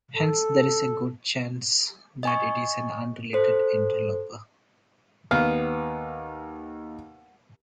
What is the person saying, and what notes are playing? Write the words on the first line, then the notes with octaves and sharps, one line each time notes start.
Hence, there is a good chance that it is an unrelated interloper.
A4
D#5 G#5 C#6
A4 C5
D#2 B3 F5 F6